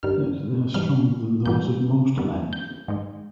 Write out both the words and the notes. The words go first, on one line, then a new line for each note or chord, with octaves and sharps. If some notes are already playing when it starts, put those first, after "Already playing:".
Yet they are stronger than those of most men.
G2 D#3 G3 F6
G#2 E3 G3 F6
G#2 E3 G3 B3 G6
F#2 D#3 G3 B3
G6
G#2 D#3 G#3